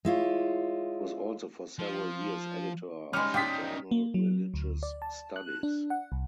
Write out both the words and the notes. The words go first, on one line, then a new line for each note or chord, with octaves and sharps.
He was also for several years editor of the journal Religious Studies.
G#3 E4 F4 C#5
F3
G3 G#3 C#4 D#4 F6
D4 F4 G5 D#6 B6
A#3
F#3
D2
D5
A5
F#6
D4
F#5
C2